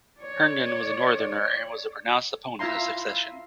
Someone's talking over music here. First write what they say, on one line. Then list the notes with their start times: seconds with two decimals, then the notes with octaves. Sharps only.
Herndon was a northerner and was a pronounced opponent of secession.
0.21 C#5 D5
2.59 E4 F4 E5 F5 A#5 C6